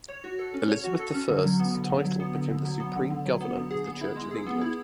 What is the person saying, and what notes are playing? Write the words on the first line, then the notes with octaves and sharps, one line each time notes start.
Elizabeth the First's title became the Supreme Governor of the Church of England.
C#5
F#4
A4
C#4
C#5
F#4
A4
C#4
D3
F#3
B3
D3
D3
F#3
B3
D3
D3
F#3
B3
D3
D3
F#3
B3
D3
G#4
B3
E4
G#3
G#4
B3
E4